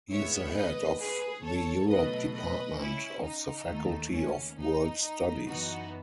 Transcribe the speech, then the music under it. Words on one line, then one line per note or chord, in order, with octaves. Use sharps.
He is the head of the Europe Department of the Faculty of World Studies.
A2 G#3 B3 C#5 E5
B4 D#5
G#4 B4
A4 C#5
B2 F#3 A3 B4 D#5
B4 D#5
C#4 E4
D#4
D#2 D#3 A3
C#4
D#4
D#4
F#2 E3 B3 D#4 F#4